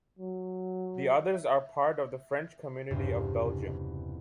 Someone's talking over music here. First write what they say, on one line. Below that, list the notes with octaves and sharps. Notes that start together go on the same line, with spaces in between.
The others are part of the French community of Belgium.
F#3
E5
F1 E2 G2 C#3 B3 C5